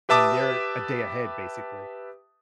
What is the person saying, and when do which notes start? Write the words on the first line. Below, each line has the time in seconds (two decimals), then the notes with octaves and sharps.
and they're a day ahead, basically,
0.09 G4 B4 E5 A5 D6 D#6